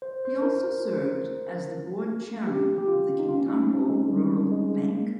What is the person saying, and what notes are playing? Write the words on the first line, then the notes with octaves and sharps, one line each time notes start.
He also served as the board chairman of Kintampo Rural Bank.
C5
C5
A#4
G4
G4
F4
D#4
F4
C#4
D#4
C4
G#3
G3
G#3
A#3